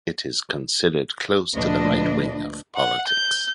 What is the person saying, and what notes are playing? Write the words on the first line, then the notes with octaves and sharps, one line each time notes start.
It is considered close to the right wing of politics.
D2 A#2 F3 D4 B4 D#5
F#5
G6